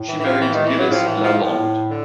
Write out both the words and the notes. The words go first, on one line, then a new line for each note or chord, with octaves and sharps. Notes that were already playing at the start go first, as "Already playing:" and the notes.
She married Gilles Lalonde.
Already playing: A2
E3
E3
F3
E3
D#3
E3
F#3
A2 F3
E3
F3
A2
D3